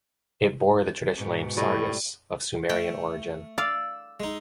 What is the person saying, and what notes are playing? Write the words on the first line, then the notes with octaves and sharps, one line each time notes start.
It bore the traditional name "Sargas", of Sumerian origin.
G#2 B2
A2 G3
A3 G5
D5 F5 E6
G#3 D#4